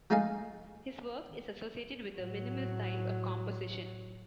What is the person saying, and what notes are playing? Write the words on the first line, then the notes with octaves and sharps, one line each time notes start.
His work is associated with the minimal style of composition.
F3 G#3 A3 D#4 F5 G#5
A2 F#3